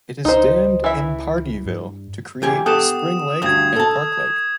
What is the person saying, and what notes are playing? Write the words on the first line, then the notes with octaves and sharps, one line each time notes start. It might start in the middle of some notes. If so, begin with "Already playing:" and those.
It is dammed in Pardeeville to create Spring Lake and Park Lake.
C#2 D#4 C5
E3 E5
G2
E3 G4 G#5
B3 G4 A4 D#6 E7
D2 G2 D#6 G#6
A4 A5